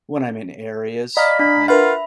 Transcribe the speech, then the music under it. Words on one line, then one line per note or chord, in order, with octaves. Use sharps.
when I'm in areas. My
D5 D#5 F5 A#5 B5 F6
D4 B5
F4 A#4 B4 E5 F#5 B5